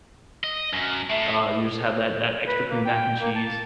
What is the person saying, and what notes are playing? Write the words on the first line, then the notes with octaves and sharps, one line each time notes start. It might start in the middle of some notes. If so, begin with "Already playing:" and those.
uh, you just have that that extra creamy mac and cheese,
D#5
F#2
A2 E5
B4
A#3
G5
A#3
A5